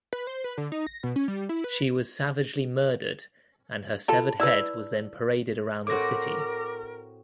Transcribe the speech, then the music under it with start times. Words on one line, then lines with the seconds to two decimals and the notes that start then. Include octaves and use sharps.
She was savagely murdered, and her severed head was then paraded around the city.
0.13 B4
0.27 C5
0.44 B4
0.58 D3
0.72 D#4
0.87 A#6
1.03 B2
1.16 C#4
1.28 G3
1.49 E4
1.64 B4
4.08 F4 A4 A5 B5
4.40 E4 B4 D5 E6
5.87 A2 C4 F#4 A#4 D6 A#6